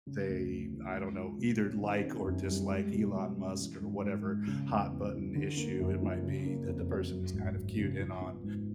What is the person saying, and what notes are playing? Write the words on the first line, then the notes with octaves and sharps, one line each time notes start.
they, I don't know, either like or dislike Elon Musk or whatever hot button issue it might be that the person is kind of cued in on.
C#3
D2
D2
E3
G#3
F4
B2
C#4
D#3
C4
F#2
G3
G#3
B2
B2
C#4
E3
G#2
G#2
G#3
C#3
E2
E2
E3
D3
A#3
F#2
F3
C#3
A#3
F2
F#3
F#2
G#1
G#1
C#3
F3
B3
G#2